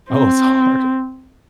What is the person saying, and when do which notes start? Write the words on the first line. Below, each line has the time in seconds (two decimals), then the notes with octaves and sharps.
Oh, it's harder.
0.11 C4